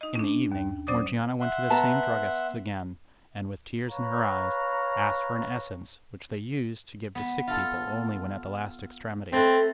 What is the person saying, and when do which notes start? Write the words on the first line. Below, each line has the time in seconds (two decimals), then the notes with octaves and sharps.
In the evening Morgiana went to the same druggist's again, and with tears in her eyes, asked for an essence which they used to give to sick people only when at the last extremity.
0.01 D#4 D#5
0.15 C#4 D4
0.52 D#2
0.87 F#3 C#4 C5 D5 D6 D#6
1.41 E5 F#5 C6
1.70 B3 A5 A#5
3.87 B4 C#5 F5 A#5
7.15 B3
7.48 F4 A4
9.32 A3 C4 A4 B4